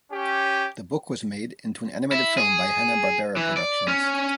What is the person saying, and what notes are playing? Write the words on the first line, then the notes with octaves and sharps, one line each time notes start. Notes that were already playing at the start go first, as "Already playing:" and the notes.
The book was made into an animated film by Hanna-Barbera Productions.
C#4 G4
E4
G#4
E3
D5
C#4